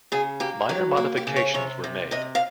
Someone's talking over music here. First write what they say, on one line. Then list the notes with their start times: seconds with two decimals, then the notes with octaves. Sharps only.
Minor modifications were made.
0.12 C#3 G#4
0.40 A#3 G4
0.69 F#3 G4
0.97 A#3 F#4
1.17 G4
1.27 C#3
1.36 C#5
1.54 C3 C#5
1.84 C3
2.11 C3 D#5
2.35 F5